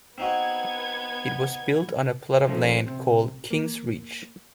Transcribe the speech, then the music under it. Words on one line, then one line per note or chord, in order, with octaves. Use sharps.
It was built on a plot of land called King's Reach.
B3 C4 D#4 F#4 G#6
F3 A3 C#4 D#4 F4
C3
A#3